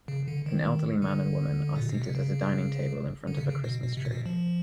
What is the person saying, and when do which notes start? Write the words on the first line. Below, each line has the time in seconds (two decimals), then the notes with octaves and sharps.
An elderly man and woman are seated at a dining table in front of a Christmas tree.
0.08 C#3
0.28 D3
0.46 D#3
1.02 D3
1.76 A#2
1.89 B2
2.02 C3
2.15 C#3
3.27 D3
3.37 C3
3.46 C#3
3.64 B2
3.83 B2
3.97 C3
4.05 A#2
4.11 B2
4.26 F3